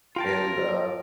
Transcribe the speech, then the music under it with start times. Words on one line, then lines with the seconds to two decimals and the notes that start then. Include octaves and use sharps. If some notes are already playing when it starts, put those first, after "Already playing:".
and, uh
0.16 F4 A#4 G5 A5